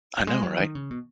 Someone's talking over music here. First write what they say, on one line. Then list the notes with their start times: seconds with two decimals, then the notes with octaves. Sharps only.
I know, right?
0.20 F#3
0.27 G#3
0.43 F#3
0.59 D#3
0.75 C#3
0.91 B2